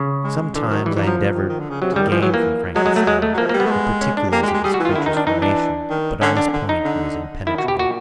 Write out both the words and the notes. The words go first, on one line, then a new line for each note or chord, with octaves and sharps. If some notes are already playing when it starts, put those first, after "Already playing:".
Sometimes I endeavoured to gain from Frankenstein the particulars of his creature's formation, but on this point he was impenetrable.
Already playing: C#3
G#3
D3 E3
F3
D#3 F#3
E3 G3
E3
F3 F#3
D3
D#3
D#3
D3
C#3
C3 F#3
C#3
G3
D#3
E3 F3
F#3
A#3
F#3 G#3
G#3
A3
G#3
A3
F#3
F3 A#3
A#3
G3
B3
A3
G#3
C#4
D4
A#3 G4
G#3
G4
G#3
G3 G#4
F#4
E3
F4
D#3
E4
D3
D#3 D#4
D4
E3 D#4
D4
D#3
D3 C#4
D3 D4
D3
D#4
D3
D#3 E4
F#4
B2 G4
A#2 F#4